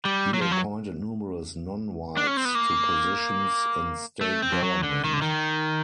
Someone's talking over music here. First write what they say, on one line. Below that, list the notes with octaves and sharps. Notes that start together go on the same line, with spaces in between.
He appointed numerous non-whites to positions in state government.
G3
F#3
F3
F#3
D4
C#4
C4
B3
A#3
A3
C4
F3
F#3
D3
D#3
D3
D#3